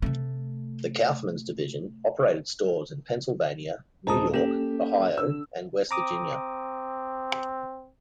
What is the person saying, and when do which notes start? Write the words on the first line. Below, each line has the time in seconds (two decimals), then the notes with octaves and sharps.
The Kaufmann's division operated stores in Pennsylvania, New York, Ohio and West Virginia.
0.02 C3 A3
4.07 D#1 G#3 C5 A5 A#5 D#6
4.33 A#3 C#4 G4 A4 E7
5.18 D3 E6
5.91 C4 A#5 D6 D#6